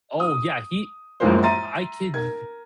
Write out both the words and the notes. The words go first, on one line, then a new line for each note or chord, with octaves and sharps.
Oh yeah, he I I could d
D#6
A1 F#2 F3 G#3 A#3 C5
E5 A#5 C6 A6 D#7
A#4 G#6